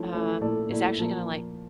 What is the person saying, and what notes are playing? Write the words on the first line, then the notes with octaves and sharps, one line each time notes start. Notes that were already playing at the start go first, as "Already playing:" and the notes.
um, is actually gonna, like
Already playing: F3 A3 C#4 E4
F3 A3 C#4 E4
A#2 A3 E4 A4 D5
A#2 A3 E4 A4 D5
A#2 F3 A#3